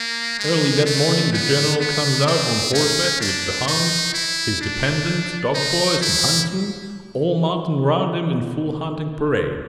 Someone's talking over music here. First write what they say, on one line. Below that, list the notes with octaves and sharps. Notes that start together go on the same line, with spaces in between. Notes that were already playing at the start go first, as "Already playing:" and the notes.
Early that morning the general comes out on horseback, with the hounds, his dependents, dog-boys, and huntsmen, all mounted around him in full hunting parade.
Already playing: A#3
G#3
A3
B3
B3
C4
C#4
D4
D#4
E4
D4
D#4
E4